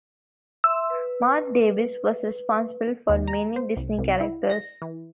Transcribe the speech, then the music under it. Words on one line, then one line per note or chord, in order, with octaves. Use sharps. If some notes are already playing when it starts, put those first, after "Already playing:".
Marc Davis was responsible for many Disney characters.
E5 C6 E6
B4
D#2
A#5
C5
C2
C2
E4
A#6
E3